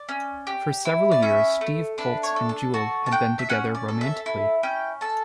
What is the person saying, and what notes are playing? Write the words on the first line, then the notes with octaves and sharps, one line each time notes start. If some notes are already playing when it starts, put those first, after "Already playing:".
For several years, Steve Poltz and Jewel had been together romantically.
Already playing: D5
C#4
G4
E4
D5
C#4 E5
A3
D4 B4
C#5
A4
A5
F#4 A5
A5
D4 G5
E5
C#4 F#5
D5
A4
E5
E4
C#4 G5
A4 A5